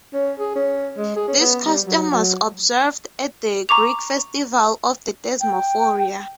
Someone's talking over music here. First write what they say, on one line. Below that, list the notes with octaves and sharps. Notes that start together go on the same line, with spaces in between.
This custom was observed at the Greek festival of the Thesmophoria.
C#4
G#4
C#4
G#3
G#4
C#4
B3
G3
F#3
F#3
A#5 C#6 D6 F7
G5